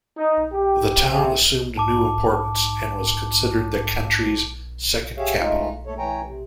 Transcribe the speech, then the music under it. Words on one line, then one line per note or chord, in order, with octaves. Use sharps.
The town assumed new importance and was considered the country's second capital.
D#4
G4
C3
G#2 A5 D6
G4 G#4 C#5 E5 F5
G#3 A3 D#4 F4
D#2 A3 A4 C#5
E3 A3 C#5 G5 G#5 A#5
C3